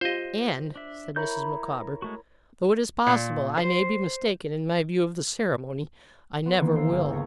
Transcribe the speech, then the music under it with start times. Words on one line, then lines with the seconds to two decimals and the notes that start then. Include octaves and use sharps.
And,' said Mrs. Micawber, 'though it is possible I may be mistaken in my view of the ceremony, I never will!'
0.01 F4 G4 C5 D#5
0.76 D4 E5
1.16 E4 A#4 C#5 B5 G6
2.02 G#3 A3 F#4
3.07 A#2
3.57 C5
6.46 B3 C6
6.60 D#3 E3 A#3 B3
6.75 G4 C5 F5 A#5 E6
6.89 G1 G#3
7.10 C#2 B3 A#4 C#5